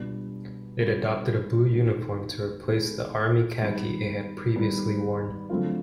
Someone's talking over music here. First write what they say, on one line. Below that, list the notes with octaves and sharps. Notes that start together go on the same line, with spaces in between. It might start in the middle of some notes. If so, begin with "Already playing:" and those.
It adopted a blue uniform, to replace the army khaki it had previously worn.
Already playing: B2 G3 B3 D4 F4
B2 G3 B3 D4 F4
D#3 G#3 B3
D#3 G#3 B3
D#3 G3 B3
D#3 G3 B3
D3 F#3 A3 C4 F4